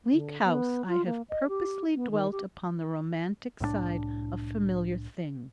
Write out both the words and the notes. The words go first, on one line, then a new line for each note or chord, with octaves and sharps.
In Bleak House I have purposely dwelt upon the romantic side of familiar things.
D3
B3
F4
A#3
D#5
G4
B3
D#3
G4
C2 A2 G3 D4